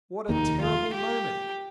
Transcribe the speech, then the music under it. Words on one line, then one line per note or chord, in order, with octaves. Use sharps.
What a terrible moment!
F1 D#2 D#3 A#3 D#4
F4
G4